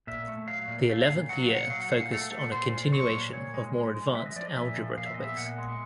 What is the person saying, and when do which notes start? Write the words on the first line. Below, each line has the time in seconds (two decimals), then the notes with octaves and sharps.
The eleventh year focused on a continuation of more advanced algebra topics.
0.07 A#2 E5
0.28 A3
0.47 F#3 F5
0.68 A#2
0.89 A3 F5
1.10 A#2
1.29 F#3 F#5
1.42 F5
1.50 A#2 F#5
1.70 F#3 F5
1.81 F#5
1.91 A#2 F5
2.12 A3 F#5
2.31 A3
2.52 A#2 C5
2.73 A#2
2.92 F#3 C#5
3.13 A#2
3.33 A#2 C#5
3.54 G#3
3.74 G#3
3.94 G#3
4.15 G#3 E5
4.26 D#5
4.36 F3 D5
4.46 D#5
4.56 A#2 E5
4.77 F3
4.97 A#2 F5
5.06 E5
5.14 B3 D#5
5.23 E5
5.37 A#2 F#5
5.58 G#3